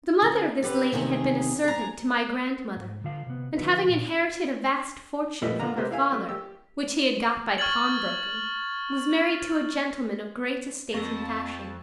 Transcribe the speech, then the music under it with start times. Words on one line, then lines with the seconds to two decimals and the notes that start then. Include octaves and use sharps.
The mother of this lady had been a servant to my grand-mother; and, having inherited a vast fortune from her father, which he had got by pawnbroking, was married to a gentleman of great estate and fashion.
0.22 D3 C#4
0.63 D3 G4 B4
0.92 E2 C3 D#3 C#4 F4 G#4
1.64 G#4 A#5
2.76 G#2
3.04 D3 F4 F5
3.26 C3 B3
3.57 D3 F3 F#3 E4 F#4 B4
3.89 A#2
5.42 A#1 F3 G3 B3 E4 D#5
5.59 D3 F4 A#5
5.76 C3 A#3 B3 C5
5.91 E4 F5 G#5
6.12 A3
6.28 G4 E6
7.58 C#6 F6 G#6 A6 F#7
10.94 F2 A#3 A5 C#6 E6